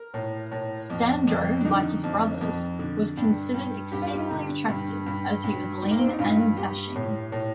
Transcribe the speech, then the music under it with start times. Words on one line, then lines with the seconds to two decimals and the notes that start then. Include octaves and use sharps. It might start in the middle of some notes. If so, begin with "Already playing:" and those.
Sandro, like his brothers, was considered exceedingly attractive, as he was lean and dashing.
Already playing: A#4
0.14 A2
0.51 A2
0.90 F2
1.27 F2
1.61 D4
1.65 D3 D#4
2.04 F2
2.41 F2
2.79 D3
3.17 G2 D4
3.54 G2
3.92 G2 G4
4.02 F4
4.12 G4
4.31 D3
4.69 G2
5.06 G2
5.44 G2
5.82 D#3
5.91 A#3
5.98 C4
6.05 D4
6.12 D#4
6.19 G2 F4
6.56 G2 G4
6.95 A2
7.32 A2